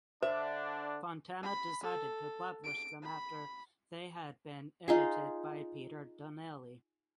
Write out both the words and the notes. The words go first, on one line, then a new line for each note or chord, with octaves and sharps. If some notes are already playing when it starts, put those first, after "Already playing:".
Fontana decided to publish them after they had been edited by Peter Donnelly.
D3 D4 C5 E5
B5
A4
D7
B5
D#4 F4 G#4